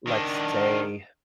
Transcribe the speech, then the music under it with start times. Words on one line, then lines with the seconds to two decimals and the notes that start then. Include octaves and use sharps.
let's say,
0.07 D#3 D4